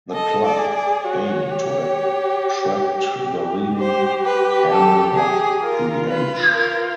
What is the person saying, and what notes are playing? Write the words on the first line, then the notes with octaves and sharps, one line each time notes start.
The club aimed to attract the leading airmen of the age.
A4 D#5
D5
G#4
D5
F#4 C#5
G4
G4 C5
B4
A4
G#4
F4 A#4
B4
A#4